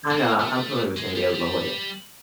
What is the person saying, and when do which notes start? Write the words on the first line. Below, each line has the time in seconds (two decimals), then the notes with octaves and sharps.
I know. I I'm familiar with San Diego, La Jolla.
0.11 A#3
0.40 A3
0.97 G#3
1.16 G3
1.34 G3